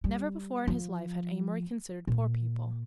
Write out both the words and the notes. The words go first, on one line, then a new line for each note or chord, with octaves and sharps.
Never before in his life had Amory considered poor people.
G3
F3
A#2